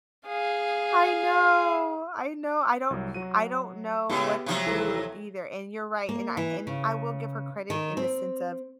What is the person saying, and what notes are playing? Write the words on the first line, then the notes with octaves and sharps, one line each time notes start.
I know, I know. I don't I don't know what to do either, and you're right, and I and I will give her credit in the sense of
G#4 F5
C2 F#3
F#3 F#4 D#7
A2 C#3 B3 G4 E6
C3 F3 F#3
D#2 E3 A4
A#3
E3
C#3
D#3
C4